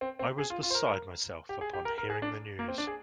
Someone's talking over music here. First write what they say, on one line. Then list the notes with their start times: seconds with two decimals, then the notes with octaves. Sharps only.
I was beside myself upon hearing the news.
0.01 C4
0.19 C4
0.38 G#4
0.50 F4
0.63 F4
0.71 C5
0.75 A#4
1.49 G4
1.61 G#4
1.73 G4
1.85 A#4
1.98 A#4
2.10 G#4
2.22 D4
2.59 A#3
2.68 C4
2.78 D4
2.87 G#4